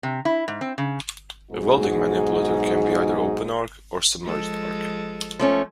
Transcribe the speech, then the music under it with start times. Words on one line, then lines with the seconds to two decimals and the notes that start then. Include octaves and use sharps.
A welding manipulator can be either open arc or submerged arc.
0.03 C3
0.25 E4
0.48 G#2
0.61 C4
0.78 C#3
1.52 B1 G#2 D#4 F#4 G#4
4.22 F3 G#3 A4
5.39 F3 A3 C#4